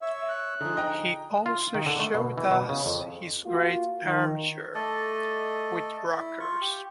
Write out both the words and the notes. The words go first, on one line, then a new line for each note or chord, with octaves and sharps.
He also showed us his great armchair, with rockers.
C#5 E5 C#6 E6
F#6
D3 F3 D#4 G#4
D#5 G5 A#5
F4
D#3
D3
A3
B2
E3
B2
C#3
F2
A#3 F4 F#4
D#3
A3 A4 D5 D#5
E4
F4 C#6
G4